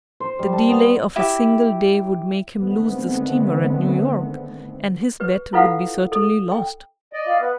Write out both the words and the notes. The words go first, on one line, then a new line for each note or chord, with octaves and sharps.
The delay of a single day would make him lose the steamer at New York, and his bet would be certainly lost.
C5
G3
A5
B3
E4 G4
D3 D#3 G#3 A3 B3 C4
G4 B4
E4 F4 A4 B4 F5 F#5
A4
G5
D5 D#5
F4 E5 F5
B3 B4